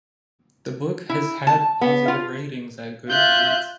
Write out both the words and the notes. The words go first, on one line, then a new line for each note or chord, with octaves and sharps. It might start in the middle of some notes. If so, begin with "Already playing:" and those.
The book has had positive ratings at Goodreads.
E4
A5
B3
F4
F4 E5 F#6 G6